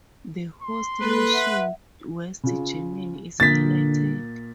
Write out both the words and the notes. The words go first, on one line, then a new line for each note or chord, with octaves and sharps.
The host nation, West Germany, is highlighted.
C6
A#3 A4 B4
E5 F#5
C#3 F4
A#2 D3 A#3 A6 B6